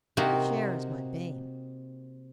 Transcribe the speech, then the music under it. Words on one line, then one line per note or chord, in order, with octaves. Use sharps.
Fresh air is my bane.
C3 A#3 D#4 F#4